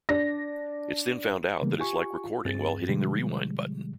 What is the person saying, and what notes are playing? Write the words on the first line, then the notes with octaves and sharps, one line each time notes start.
It's then found out that it's like recording while hitting the rewind button.
D4 A#6
C#3 E3 G3 G#3 A#3 B3
F4 G4 G#5 C#6
F4
G2 C4 G#4 A6
B2 D3 F3 G3 G#3